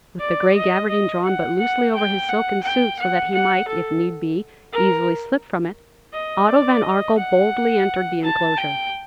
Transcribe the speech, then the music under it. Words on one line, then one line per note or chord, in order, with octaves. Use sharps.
With the gray gabardine drawn but loosely over his silken suit, so that he might, if need be, easily slip from it, Otto von Arkell boldly entered the inclosure.
D5
D#5
D#5
F#5
F#5
G5
F#5
G5
F#5
F#5
A4
A#4
D#5
D5
D#5
F#5
A5
G5